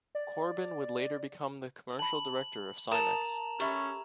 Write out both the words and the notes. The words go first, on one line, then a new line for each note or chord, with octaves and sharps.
Corbin would later become the commercial director of Simex.
D5
A5 B5 F#7
A#4 A5 A#5 D#6 E7 F7
A3 C#4 G4 E5 B5